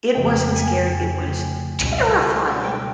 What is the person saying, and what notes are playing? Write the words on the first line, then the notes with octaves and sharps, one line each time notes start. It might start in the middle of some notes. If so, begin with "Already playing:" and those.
It wasn't scary, it was terrifying.
F2 C#3 F3 A3 G5
G#5
C#2 B2 G3
G5